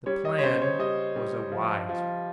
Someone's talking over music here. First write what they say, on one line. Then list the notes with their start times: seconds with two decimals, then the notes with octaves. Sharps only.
The plan was a wise one.
0.06 G3 C#5
0.25 D#5
0.39 C#5
0.43 C#3 C5
0.62 C#5
0.79 G3 D#5
1.16 G3
1.52 F3
1.89 F3